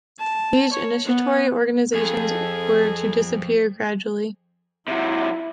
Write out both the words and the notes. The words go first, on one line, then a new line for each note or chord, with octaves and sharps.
These initiatory organizations were to disappear gradually.
A5
C#5
B3
F2 G#4 A4
C3 F#3 E4